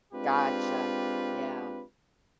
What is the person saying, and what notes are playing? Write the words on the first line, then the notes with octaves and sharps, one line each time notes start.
Gotcha, yeah.
G#3 C4 D4 F4 G4 B4